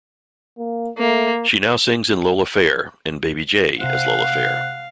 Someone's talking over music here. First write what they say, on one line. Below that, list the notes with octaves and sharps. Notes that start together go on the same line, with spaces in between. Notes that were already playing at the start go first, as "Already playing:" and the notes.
She now sings in Lola Fair and Baby J as Lola Fair.
A#3
A3 A#3
C3 C5 F5 F#5